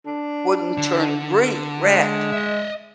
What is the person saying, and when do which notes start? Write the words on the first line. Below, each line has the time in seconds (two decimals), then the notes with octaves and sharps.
wouldn't turn green red.
0.06 D4
0.78 D3
1.87 G#3
2.32 D#5 E5